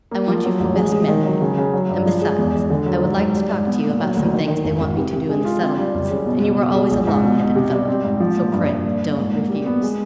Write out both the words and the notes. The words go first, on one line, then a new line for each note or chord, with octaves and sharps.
I want you for best man, maybe; and besides, I would like to talk to you about some things they want me to do in the settlements, and you were always a long-headed fellow: so pray don't refuse.
A#3
F3
F#3
A1
G#3
G#3
D#3
F#3
C#3
C#3
F#3
G2
F3
G#3
E2
G#3
D3
F#3
G#2
G#2
G3
G#2
B3
A#2
F#3
D2
D#3
D#3
G#1
G#1
C3
C3
G#3
F4
C4
G3
F#1
C#3
B2
B2
B2
G#3
A#1
G#2
B2
B2
C3
G3
C4
G#2
F3
A#2
G2
G2
A#2
A#2
G#2
A#3
G3
B3
G#3